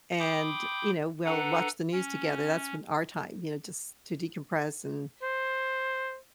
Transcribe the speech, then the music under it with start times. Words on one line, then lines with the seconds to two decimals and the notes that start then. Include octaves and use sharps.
And, you know, we'll watch the news together. That's when our time, you know, just to decompress and
0.20 G5 B5 C6 D6 D#6 G6
1.25 D4 A4 B4 F#5 A#5
1.92 C#4
5.22 C5